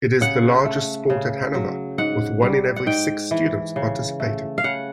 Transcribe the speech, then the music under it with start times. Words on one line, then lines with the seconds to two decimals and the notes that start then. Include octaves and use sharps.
It is the largest sport at Hanover, with one in every six students participating.
0.21 C#3 F#5
0.65 A3
1.10 C#3
1.54 F#3
1.98 G#2 F#5
2.42 G3
2.76 F#5
2.86 G#2 G5
3.31 E3
3.76 C#3
4.20 A3
4.58 F5
4.64 C#3 F#5